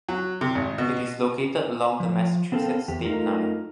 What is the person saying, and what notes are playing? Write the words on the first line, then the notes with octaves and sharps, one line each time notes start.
It is located along the Massachusetts state line.
F#3
C3
G#1
B2
F3
B3 C4 A4 A#4 F5 G5
E2 G4
A3 D#4 F4 A#4